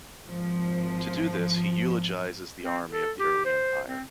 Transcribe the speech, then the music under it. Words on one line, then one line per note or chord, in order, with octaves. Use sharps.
To do this, he eulogises the army of the early Empire.
G#1 F3
C4
A4
G4
C5
C4